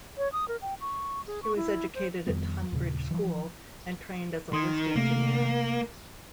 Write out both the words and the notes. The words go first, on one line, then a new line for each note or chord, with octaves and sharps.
He was educated at Tonbridge School and trained as a lift engineer.
C#5
D#6
A#4
G5
C#6
G#4
C#6
E4
C5
F2 D#3 G3 B3
D#2 A#2 C#3
E3 F3
D#3 C6 D#6 G#6
C3 A3 A#3